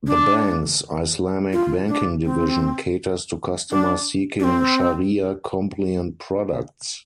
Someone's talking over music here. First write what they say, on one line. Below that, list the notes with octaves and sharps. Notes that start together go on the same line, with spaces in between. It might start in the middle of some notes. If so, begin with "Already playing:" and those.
The Bank's Islamic Banking Division caters to customers seeking Shariah compliant products.
D4
F4
D4
C4
D4
D4
C4